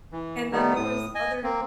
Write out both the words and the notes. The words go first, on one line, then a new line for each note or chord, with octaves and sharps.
and then there was other
E3
D#3 G3 A3 B3 D#4
A2 D#6
D#5 G#5
A#3 C4